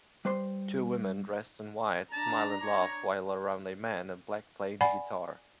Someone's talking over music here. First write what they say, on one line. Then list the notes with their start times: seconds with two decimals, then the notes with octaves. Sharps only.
Two women dressed in white smile and laugh while around a man in black playing the guitar.
0.25 G3 B4 C5 C6
2.13 D4 A5 A#5
2.62 C#5
4.81 D5 F#5 G#5 B5